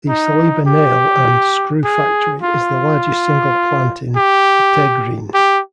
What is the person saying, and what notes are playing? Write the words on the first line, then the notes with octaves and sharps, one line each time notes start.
The Saliba Nail and Screw factory is the largest single plant in Bteghrine.
D#4
G4
G#4
F4
G4
G4